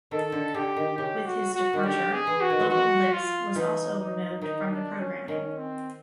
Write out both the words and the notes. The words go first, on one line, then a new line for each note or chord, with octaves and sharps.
With his departure, "Local Licks" was also removed from the programming.
D#3 A4
D3
D3 G4
D#3
C#3 G4
F#4
F#4
D#3
D3 G4
G#4
E3
F#4
D#3
E3
F3 F#4
F4
E3 D#4
D#4
D#3 D#4
D4
C#4
D#3 C#4
C4